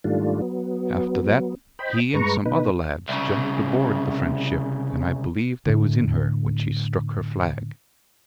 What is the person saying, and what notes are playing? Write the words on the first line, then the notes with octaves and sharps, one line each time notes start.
After that he and some other lads jumped aboard the French ship, and I believe they was in her when she struck her flag.
G#2 D#3 G3 A3 D4 F4
F#3 B3
C5 D#5 G5 B5
G2 G#3 B4 A#5 C#6
B2 D#4 B4
C2 C#3
A2 D3